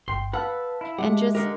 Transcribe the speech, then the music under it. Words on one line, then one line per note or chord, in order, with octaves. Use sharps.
and just
G1 G5 C6
B4 F5 F#5 A5 E6
E4
G#3 G4 E5 F#5
D3 G4 A#4 D#5